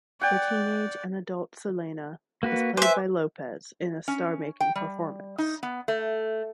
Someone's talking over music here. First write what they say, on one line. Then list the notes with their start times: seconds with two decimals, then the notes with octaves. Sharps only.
The teenage and adult Selena is played by Lopez in a star-making performance.
0.21 D5 F#5 G5
2.43 A#3 F#4 B4
2.77 B4 C5 E5 G#5 D6
4.08 C#4
4.60 G5
4.75 G3
5.38 D#4
5.63 B3
5.88 A3